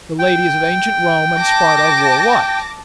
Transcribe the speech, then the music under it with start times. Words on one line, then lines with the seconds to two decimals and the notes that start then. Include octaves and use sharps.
The ladies of ancient Rome and Sparta wore white.
0.19 G5
1.37 A5 D6 A#6